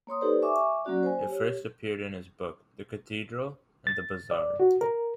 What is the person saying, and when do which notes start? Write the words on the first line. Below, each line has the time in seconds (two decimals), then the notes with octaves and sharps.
It first appeared in his book "The Cathedral and the Bazaar".
0.07 A#3 C#5 C6 D#6
0.21 D#4 G4 A4 B4 C5 D5
0.42 E5 G#5 C#6 D6
0.85 F#3 A#3 C#4 F#4 D5
1.03 C5 G#5
1.27 G4 C#5
3.87 A6
4.31 D5
4.60 F#4
4.81 A#4